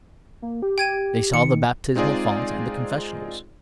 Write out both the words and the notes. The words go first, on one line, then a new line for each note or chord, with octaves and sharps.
They saw the baptismal font and the confessionals.
A#3
G4
G5 G#6 D#7
D#3 C#7
G#3 C4 D#4 F4 G#4 D5